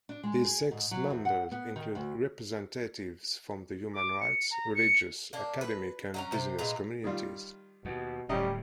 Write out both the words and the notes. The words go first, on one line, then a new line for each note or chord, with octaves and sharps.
These six members include representatives from the human rights, religious, academic, and business communities.
D4
G#3
G#4
G#2
F#3
E2
F#5
B3
D#3
D2
D6
C#7
A#5
C#7
A#3 D4
B4
F#3 C#4 A#5
C3 C4
A#2 G#3 B4 A#5
D#3 G3 F4
D#2 B2
D1 D#2 A2 G3 C#4 D#5 A#5